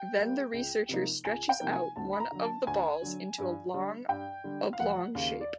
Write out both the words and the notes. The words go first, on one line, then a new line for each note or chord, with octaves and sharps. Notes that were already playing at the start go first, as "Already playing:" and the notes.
Then the researcher stretches out one of the balls into a long oblong shape.
Already playing: G5
G3 A#3
C#2
C3 F3 A#3 D#4
C#2 G#5
G5
C3 F3 A#3 D#4
G#5
D2 A5
B5
A#5
D3 F#3
A5
D2 G#5
D3 F#3
G2
D3 G3
G2 G5
D3 G3
F5
F1 F#5
D#2 C#3 F5
D5